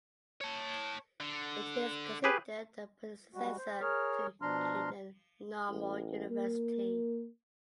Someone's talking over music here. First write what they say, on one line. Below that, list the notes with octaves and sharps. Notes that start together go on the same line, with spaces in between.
It is considered the predecessor to Hunan Normal University.
C#5 A5
D3
G4 G#4 B4
G3 G#3 F#4
C5
G#4 A#4 C#5 F6
B2 F3 D4 A#5 C6 F6
A1
A#3